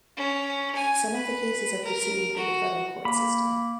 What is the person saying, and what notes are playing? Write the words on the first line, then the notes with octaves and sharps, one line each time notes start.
Some of the cases are proceeding through the federal court system.
C#4
G#5
B4
A#4
F#4
A#3 B5